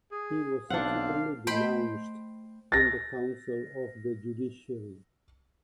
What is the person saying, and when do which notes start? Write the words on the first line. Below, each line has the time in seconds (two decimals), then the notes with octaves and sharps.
He was subsequently denounced in the Council of the Judiciary.
0.12 G#4
0.70 B1 C4 D4 F5 F#5
1.47 A3 C5 D#5 G5 B5
2.72 A6 A#6